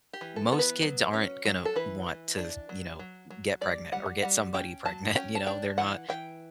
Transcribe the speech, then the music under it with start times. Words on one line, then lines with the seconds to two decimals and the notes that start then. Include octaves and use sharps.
most kids aren't gonna want to, you know, get pregnant or get somebody pregnant. You know? They're not
0.13 G4
0.21 E3
0.36 A4
0.52 B3 A4
0.59 B4
0.83 F#3
1.13 C#4
1.45 F#3
1.65 A4
1.76 E3 B4
2.06 E3
2.37 D4
2.69 F#3
2.99 F#3
3.30 F#3
3.61 G3 D5
3.92 G3 F#5
4.23 G3 F#5
4.54 C#4 G5
4.85 F#3 A5
5.16 C#4 G5
5.35 A5
5.47 D4 G5
5.78 E3 F#5
6.09 E3 G5